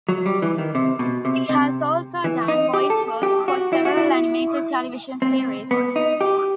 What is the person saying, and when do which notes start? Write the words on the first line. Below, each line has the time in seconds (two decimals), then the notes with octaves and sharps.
He has also done voice work for several animated television series.
0.09 F#3
0.26 G3
0.42 E3
0.58 D#3
0.75 C3
0.99 B2
1.25 C3
1.49 C3
2.24 E3
2.48 D#4
2.74 G4
2.90 A4
3.23 G4
3.48 F#4
3.73 E4
3.85 F#4
3.97 E4
5.22 C4
5.71 B3
5.96 D#4
6.21 G4